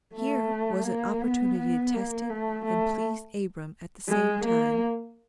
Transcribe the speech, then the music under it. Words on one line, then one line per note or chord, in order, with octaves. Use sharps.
Here was an opportunity to test it and please Abram at the same time.
A3
A#3
B3
B3
A#3
A3
A3
G#3
A#3